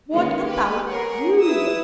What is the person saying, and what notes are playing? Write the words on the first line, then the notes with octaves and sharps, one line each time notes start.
What about you?
D#3 G#3 A#3 B3 C#4
G4 B4
G#4 A#4 C#5 F#5
E4 B4 D#6 E6